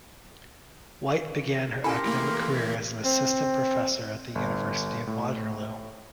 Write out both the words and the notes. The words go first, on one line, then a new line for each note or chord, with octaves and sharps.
White began her academic career as an assistant professor at the University of Waterloo.
C#4 E4 G4 A4 A#4 C6
E3 A3 A#3
C4
G1
A2